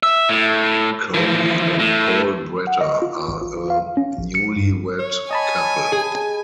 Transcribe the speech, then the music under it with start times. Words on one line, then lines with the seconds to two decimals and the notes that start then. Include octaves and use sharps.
Corie and Paul Bratter are a newlywed couple.
0.03 E5
0.29 A2
1.14 E3 F3
1.79 A2
2.67 F#5
2.81 D#5
3.02 F4
3.28 G#1
3.41 F4
3.57 F4
3.70 F5
3.97 C#4
4.18 A1
4.35 C#7
4.56 G2
4.70 G#1
4.99 C#5
5.31 D#5 G#5 A5 B5
5.92 G#4